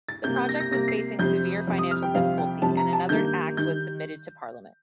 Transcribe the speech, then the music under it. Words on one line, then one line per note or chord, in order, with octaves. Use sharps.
The project was facing severe financial difficulty and another Act was submitted to Parliament.
A6
C3 G3 A#3 G6
G6
A#6
A#6
C3 G3 A#3 A#6
C7
F2 C3 G3 C4 G6
F2 C3 G3 C4
D#6
F6
G5
F2 C3 G3 C4 F5
G5
F2 C3 G3 C4 A5
A#5
A5
G2 D#3 G3 A#3 G6
D#3 G3 G6